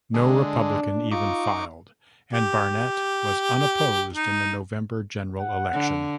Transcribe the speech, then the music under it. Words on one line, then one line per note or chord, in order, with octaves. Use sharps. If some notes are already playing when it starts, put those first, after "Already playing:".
No Republican even filed, and Barnett was unopposed in the November general election.
D3 G#3 D4
D#4 F4 C#6 D6
G4
D#4
F#5
D3